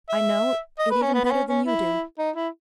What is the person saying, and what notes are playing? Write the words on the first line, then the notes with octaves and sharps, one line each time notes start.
I know it even better than you do.
E5
D#5
B4
C#4
B3
B3
C#4
C#4
E4
D#4
E4